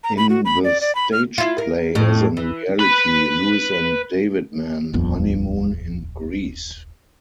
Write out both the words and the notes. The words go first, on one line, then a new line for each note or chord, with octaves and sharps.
In the stage play as in reality, Lewis and Davidman honeymoon in Greece.
A#5
B5
F#4
B5
D5
D5
B5
F6
E4 F4
A#4
F2 A2
E3
B4 B5
D#1 A#1 F2 B3